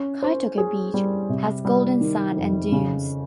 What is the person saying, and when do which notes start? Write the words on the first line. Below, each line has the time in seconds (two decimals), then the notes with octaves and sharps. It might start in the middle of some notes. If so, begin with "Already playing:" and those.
Kaitoke Beach has golden sand and dunes.
Already playing: C#4
0.22 C5
0.58 G#4
0.94 G3
1.29 C3
1.65 G3
2.01 D#3
2.37 F2
2.72 C#3